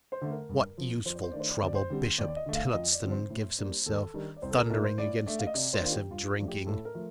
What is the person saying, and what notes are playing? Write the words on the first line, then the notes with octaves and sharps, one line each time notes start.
What useful trouble Bishop Tillotson gives himself, thundering against excessive drinking.
C5
D3 A3
A#4
G2
F3 C4
F2 C5
D5
C5
D#3 A3 D4 D5
C5
D5
C5
D2 D5
C5
D3 G3 C4
D#2 D5
D5
D#5
D3 A3
F5
F2 D#5
D5
D3 F3 C4
C5
A2
G3 A#3 D4
D#2 A4
D#3 G3 D4
D5
C2 C5
A4
A#4
A4
A#2 A3 D4 A#4
C5
A2 D5
A3 D4 D5
F5
D#5
C3 D5
C5
D#3 A#3 D4 F4
G4
G2 F4
F4
F3 A3 D4
G4
A2 A4
A#4
F3 A3